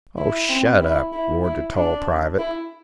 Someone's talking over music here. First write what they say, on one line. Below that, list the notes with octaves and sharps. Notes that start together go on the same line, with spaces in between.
"Oh, shut up!" roared the tall private.
E4
C4
E4
E4
E4
D4
E4